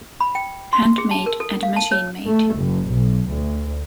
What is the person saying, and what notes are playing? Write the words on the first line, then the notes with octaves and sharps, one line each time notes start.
Handmade and machine-made.
B5
G5
C6
G#4
A5
A#4
A4
F5
A5
C#5
A3
F#1
B1
D2